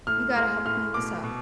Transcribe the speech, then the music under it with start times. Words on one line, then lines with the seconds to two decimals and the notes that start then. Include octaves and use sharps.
you gotta help clean this up."
0.07 A2 F6
0.36 G#3 F6
0.65 A2 F6
0.94 B2 D6
1.24 B2